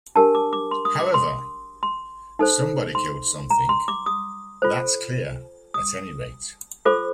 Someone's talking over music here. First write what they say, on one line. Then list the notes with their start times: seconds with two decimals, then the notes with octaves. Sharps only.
However, somebody killed something: that's clear, at any rate.
0.16 D4 G4 A#4 A5
0.35 D6
0.53 D6
0.71 C6
0.85 D#6
0.99 D6
1.14 C6
1.83 C6
2.39 D#4 A4 C5
2.95 C6
3.50 A#5
3.69 C6
3.88 D6
4.06 D#6
4.62 F4 A4 C5
5.74 D#6
6.85 F4 A4 C5 D6